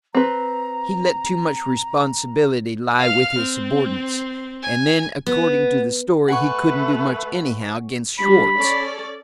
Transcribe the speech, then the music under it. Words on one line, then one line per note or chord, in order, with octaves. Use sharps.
He let too much responsibility lie with his subordinates--and then, according to the story, he couldn't do much anyhow, against Schwartz.
C4 B4 A#5
F5 F6
C4
G#5
B3
A3 B4 F#5 G#5 C#6
G3 D4 B5
C#4 A4 D5